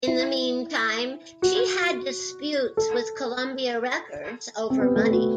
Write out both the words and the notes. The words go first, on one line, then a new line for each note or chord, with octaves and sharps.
In the meantime, she had disputes with Columbia Records over money.
E4
F#4
A4
C4
B3
A3
F#4